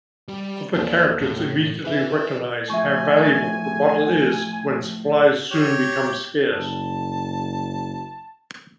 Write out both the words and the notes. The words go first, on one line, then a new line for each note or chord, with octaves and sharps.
Other characters immediately recognise how valuable the bottle is when supplies soon become scarce.
G3 G4
D#2 D3 F4 D5 A5
A2
E4 G#4 B4 E5
A2 F3 E5 G#5 C#6
G4 C#5
F#1 A5